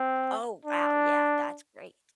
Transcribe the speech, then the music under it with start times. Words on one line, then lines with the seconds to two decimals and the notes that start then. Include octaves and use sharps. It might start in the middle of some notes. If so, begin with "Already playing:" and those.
Oh, wow, yeah, that's great.
Already playing: C4
0.65 D4